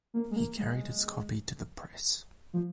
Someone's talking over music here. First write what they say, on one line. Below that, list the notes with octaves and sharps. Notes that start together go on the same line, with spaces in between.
He carried his copy to the press.
A#3
G#3
A#3
G#3
F3